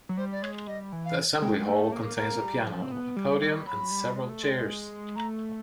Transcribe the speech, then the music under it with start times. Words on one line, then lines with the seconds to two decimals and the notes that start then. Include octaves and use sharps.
The Assembly Hall contains a piano, a podium and several chairs.
0.09 F#3
0.17 G3 C5
0.32 D5
0.42 G#3 C#5
0.67 G3 D#5
0.92 E3
1.05 F5
1.42 G#3 G5
1.67 A3
1.72 G#5
1.79 A5
1.92 A#3
2.17 A#3 A#5
2.42 G3
2.67 F3
2.82 C4
2.91 B3
3.16 G3
3.41 G3
3.66 F#3 B5
3.91 G3
4.16 G#3
4.29 A3
4.43 G#3
5.16 A3 A#5